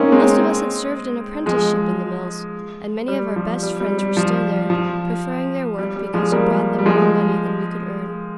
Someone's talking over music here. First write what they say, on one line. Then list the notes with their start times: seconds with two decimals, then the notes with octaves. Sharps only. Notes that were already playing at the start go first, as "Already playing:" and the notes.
Most of us had served an apprenticeship in the mills, and many of our best friends were still there, preferring their work because it brought them more money than we could earn.
Already playing: A#3 C4 C#4 D#4
0.12 G#3 C4
1.46 F3 G#3
3.08 G3
3.36 F3
3.63 G3
3.80 G3
3.98 G3
4.17 F3
4.70 F3
5.79 G3
5.96 G3
6.14 F3 G#3
6.32 G3 A#3
6.79 G3
6.86 F3 G#3